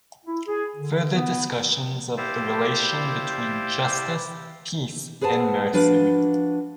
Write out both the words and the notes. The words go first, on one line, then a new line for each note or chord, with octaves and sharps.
Further discussion of the relation between justice, peace and mercy.
E4
G#4
D3
B3
E4 G4 C5 D5 F5
G#4 B4 C5 F#5 A5
F3 D4 F#4 B4 F5